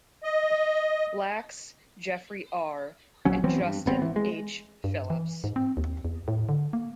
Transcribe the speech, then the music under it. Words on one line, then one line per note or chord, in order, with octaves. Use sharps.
Lax, Jeffrey R., and Justin H. Phillips.
D#5
A#1 F#3 C#4
E3 F#3 B3 C4
G2
G#1 B3 C4
E3
G#3
G2
E3
G#2
C4
D#2
E2
A2
D3
A#3